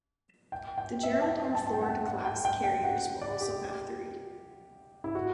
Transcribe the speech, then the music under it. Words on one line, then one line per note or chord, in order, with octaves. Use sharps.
The "Gerald R. Ford"-class carriers will also have three.
G5
G5
E5
A5
G5
A5
A5
G5
F#5
F#5
G5
G5
G5
F#5
D5
G4
E4
F#4